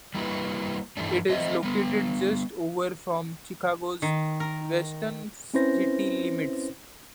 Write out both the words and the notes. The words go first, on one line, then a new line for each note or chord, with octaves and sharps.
It is located just over from Chicago's western city limits.
G3 A#3 E4 F#4 G4 B4
G2 E3 G3 A3 D4
A3 C4 C5 D#5 E5
G3 B3
D#3
A#4
C4 C#4 E4 B4 C5 A#6